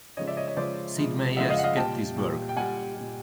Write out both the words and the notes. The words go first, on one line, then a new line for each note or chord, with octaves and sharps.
Sid Meier's Gettysburg!
C#3 F3 G#3 C#5 D#5
D5 E5
C#5 D#5
C#5 D#5
C#3 F3 G#3 C5 D5
C#3 F3 G#3
C#3 F3 G#3 E5 F#5
D#5 F5
F#5
D#5 F5
A#2 G3 G5 A5
A#2 G3
G5
A#2 G3 F#5 G#5
A#2 G3